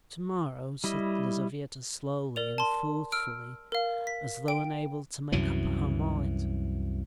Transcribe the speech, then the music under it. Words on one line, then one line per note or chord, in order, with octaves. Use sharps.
"To-morrow?" said Lizaveta slowly and thoughtfully, as though unable to make up her mind.
G3 E4 D#5
A#4 D5 F7
A5 C6
E6 F6 D7
A#4 F5
B6
G5 D7
C2 F#2 E3 F#3